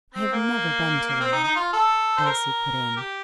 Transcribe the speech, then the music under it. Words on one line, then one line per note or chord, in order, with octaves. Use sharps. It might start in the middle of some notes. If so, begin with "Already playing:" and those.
'I have never been to one,' Elsie put in.
C4
A#3
A#3
C4
D#4
D#4
F4
A4
C5
A#4
G4